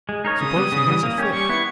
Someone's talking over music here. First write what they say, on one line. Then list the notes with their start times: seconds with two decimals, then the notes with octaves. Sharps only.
"Suppose he has a fit!"
0.09 G#3
0.25 D#4 A#4 C#5
0.40 C#3 D#6
0.56 G3 B3
0.72 C#3
0.86 E3 G3
1.03 A#3
1.18 C#4 G4 C#5
1.34 G3 C#6
1.49 B3 E4